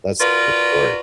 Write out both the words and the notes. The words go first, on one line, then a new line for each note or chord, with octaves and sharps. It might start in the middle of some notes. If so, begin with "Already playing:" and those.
That's another story.
F4 F#4 A#4 B4 D5